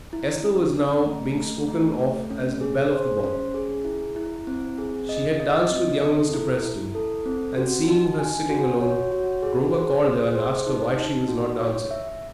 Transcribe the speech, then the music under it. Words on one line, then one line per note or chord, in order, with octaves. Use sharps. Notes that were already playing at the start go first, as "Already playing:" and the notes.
Esther was now being spoken of as the belle of the ball, she had danced with young Mr. Preston, and seeing her sitting alone Grover called her and asked her why she was not dancing.
E4
C#4
C#4
A3
A3
A3
A3
C#4
G#4
C5
C#4
G#4
E4
E4
C4
G#4
D#5
D#5
C4
A4
E4
E4
A4
C4
F#4
D#4
G#5
F#4
C#5
F#4
G#4
C5
G#4
C5
D#4
D#4
F#4
C#5
E5